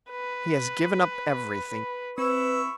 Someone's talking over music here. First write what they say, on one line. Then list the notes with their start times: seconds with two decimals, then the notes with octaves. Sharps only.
He has given up everything.
0.11 B4
2.18 C4 E4 B4 C#6 E6